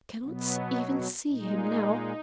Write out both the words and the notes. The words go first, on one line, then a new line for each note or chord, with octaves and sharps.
I cannot even see him now.
B2 F#3 B3
A#2 G#3 D#4